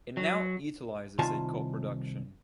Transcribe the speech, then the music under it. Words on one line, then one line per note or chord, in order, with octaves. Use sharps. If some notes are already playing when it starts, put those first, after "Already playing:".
It now utilizes a co-production.
F#3
C2 D#3 F4 G#5 A5